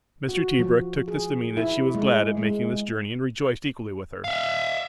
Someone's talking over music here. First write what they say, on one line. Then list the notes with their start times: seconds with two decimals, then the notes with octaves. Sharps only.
Mr. Tebrick took this to mean that she was glad at making this journey and rejoiced equally with her.
0.29 F#4
0.59 F3
1.08 G#4
1.57 E4
1.95 G#3
2.37 G#3
4.24 E5 F5